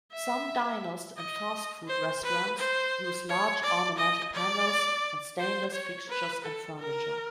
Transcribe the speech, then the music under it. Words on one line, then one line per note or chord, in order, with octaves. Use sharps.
Some diners and fast-food restaurants use large ornamental panels and stainless fixtures and furniture.
E5
D#5
C5
B4
C5
C#5
D5
D#5
D5
C5
C#5
B4
A4
A#4